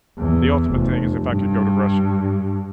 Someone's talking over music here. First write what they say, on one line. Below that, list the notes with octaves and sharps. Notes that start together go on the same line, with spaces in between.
the ultimate thing is if I could go to Russia.
E2
F1
G2